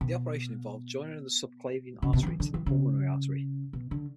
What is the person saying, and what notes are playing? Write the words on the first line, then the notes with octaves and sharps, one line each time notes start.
The operation involved the joining of the subclavian artery to the pulmonary artery.
B2
C#3
B2
D3
E3
D3
E3
C#3
B2
D3